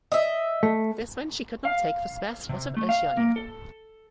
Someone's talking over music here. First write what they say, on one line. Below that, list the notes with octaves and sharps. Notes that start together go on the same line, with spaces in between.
This meant she could not take the spare slot of Oceania.
D#5 E5
A3
F5
C3
A3
F5
A#3
A4